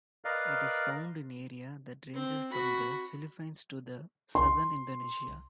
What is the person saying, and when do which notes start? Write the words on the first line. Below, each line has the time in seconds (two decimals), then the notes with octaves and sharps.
It is found in area that ranges from the Philippines to the southern Indonesia.
0.25 A#4 B4 D5 D#5 F5
2.14 C4
2.51 F#4 B5
4.35 C6